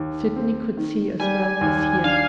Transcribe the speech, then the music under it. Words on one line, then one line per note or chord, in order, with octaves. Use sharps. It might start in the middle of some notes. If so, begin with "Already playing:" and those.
Sydney could see as well as hear.
Already playing: D#2
C4
D#3
G3 G#5
D#2
D4 F5